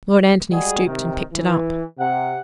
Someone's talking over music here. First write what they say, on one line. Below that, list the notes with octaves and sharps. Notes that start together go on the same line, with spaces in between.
Lord Antony stooped and picked it up.
G3 G#3 F#4 G#4
C3 D#3
E3
C3 F#5